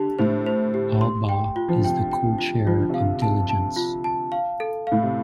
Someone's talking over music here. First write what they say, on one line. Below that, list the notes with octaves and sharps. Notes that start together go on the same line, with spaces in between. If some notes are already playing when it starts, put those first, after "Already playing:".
Allbaugh is the co-chair of Diligence.
Already playing: D3 G4 A5
A2 C5
C5
G4
C6
G5
F4
F3
D3
C3 G5
G5
F4
F3 F4
D3
C3 F5
D3
A5
A5
F4
A5
F5
A4
A2 F5
C3